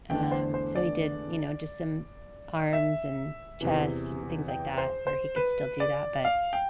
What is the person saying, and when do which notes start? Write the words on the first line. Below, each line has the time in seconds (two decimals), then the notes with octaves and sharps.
Um, so he did, you know, just some arms and chest and things like that where he could still do that, but
0.10 E2 D3 A3 D4 G5
0.32 C5
0.54 C5
0.76 D5
2.73 E5
3.61 E2 C3 E3
4.48 G5
4.78 C5
5.07 C5
5.36 B4
5.80 D5
6.25 F5
6.53 G5